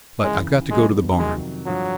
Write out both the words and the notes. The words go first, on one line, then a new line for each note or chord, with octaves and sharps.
But I've got to go to the barn.
D#2 C#3 E3 G#3
D3 F#3 G#3 B3 D#4
F2 C3 D#3 F#3 G#3
G2 D3 F3 F#3